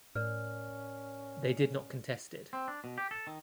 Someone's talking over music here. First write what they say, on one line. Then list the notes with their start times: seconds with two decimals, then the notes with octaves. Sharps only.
They did not contest it.
0.15 A2 C#4 A#4 D5 F6
2.53 C4
2.68 D4
2.84 B2
2.98 G4
3.11 A4
3.27 D#3